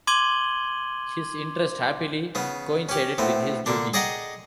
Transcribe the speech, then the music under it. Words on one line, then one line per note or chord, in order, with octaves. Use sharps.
His interest happily coincided with his duty.
C6 D6 G#6 D#7 F#7 G7
C#3 B3
C#4 G4
A2 B3 C4
A#2 D3 D4
G#4 D5 D#5 F#5 G5 A#5